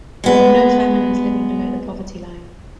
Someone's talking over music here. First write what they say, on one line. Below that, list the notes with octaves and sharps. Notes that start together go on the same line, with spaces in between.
There were no families living below the poverty line.
G#3 B3